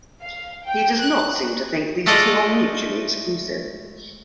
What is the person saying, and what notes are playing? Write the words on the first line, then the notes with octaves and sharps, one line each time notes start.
He does not seem to think these two are mutually exclusive.
F5
G5
F#6
G#3 A3 F4 A4 D5 D#5